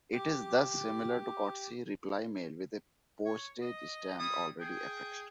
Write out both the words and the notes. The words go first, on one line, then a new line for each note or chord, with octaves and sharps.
It is thus similar to courtesy reply mail with a postage stamp already affixed.
G4 D6
C#5
D#5
G3 E4 D#6
G#4 G5